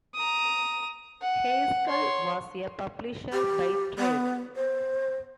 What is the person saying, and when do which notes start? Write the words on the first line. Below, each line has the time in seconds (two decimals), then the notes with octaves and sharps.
Heiskell was a publisher by trade.
0.15 A#5 D#6
1.22 F#5
1.88 C#5 C6
3.33 G4
3.98 B3
4.56 C5